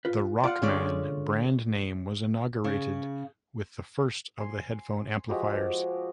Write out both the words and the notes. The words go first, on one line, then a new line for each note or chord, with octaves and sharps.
The Rockman brand name was inaugurated with the first of the headphone amplifiers.
F4 B4
F4 D5 F#5
D3 G#3 C#4 D5
C#3
G#5 C6
F3 G#3 F#4 G4